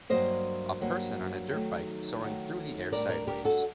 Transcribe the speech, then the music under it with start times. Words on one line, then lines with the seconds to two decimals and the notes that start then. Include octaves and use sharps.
A person on a dirt bike soaring through the air sideways.
0.10 G2 F#3 A#3 C5 D#5
0.80 G2 F#3 A#3
1.51 D#3 F#3 A3 D#4
2.22 D#3 F#3 A3 D#4
2.92 A2 G3 D4 A#4 D5
3.09 A#4 D5
3.27 G4 A#4
3.45 F#4 A4